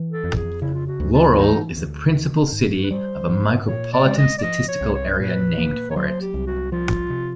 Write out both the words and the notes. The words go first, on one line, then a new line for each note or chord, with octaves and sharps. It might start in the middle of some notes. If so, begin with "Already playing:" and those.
Laurel is the principal city of a Micropolitan Statistical Area named for it.
Already playing: E3
A4
F2
G#4
C#3 E4
F4
F#4
D2
F4
E4
E3 D#4
D2
D#3
G#2
B4
G3 C5
G#2
A#2 C#5
D5
G#3
D#5
D5
F3 D#5
C#5
C2
C#5
C5
A#2 B4
A#3
C#5
F#3 C5
G4
C2
F#4
F3 F4
C3